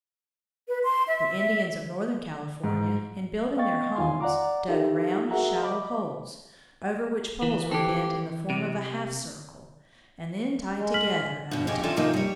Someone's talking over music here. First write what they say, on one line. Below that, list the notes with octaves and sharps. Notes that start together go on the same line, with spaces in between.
The Indians of northern California in building their homes dug round, shallow holes, over which poles were bent in the form of a half-circle, and then tied together at the top.
B4
C6
E5
G#2
B3 D#5 F5 G5 C#6 A6
E2 D#3 F4 F5 G#5 C6
D5 F#5 A#5 D6
D#4 F4 G4 A4 A#4 E5
F#4 G#4 A#4 E5 F#5 A#5
D#5 B5 D6
E3
E3 C4 G4 A4
C3
G#3
F6 B6 F#7
G2 B2
F2 G#3 G4 C#5 G#5
C4 C#4 E4 F4 A4 D5
C3 D#3 F3 A#3 D#4 F4
G3 C#5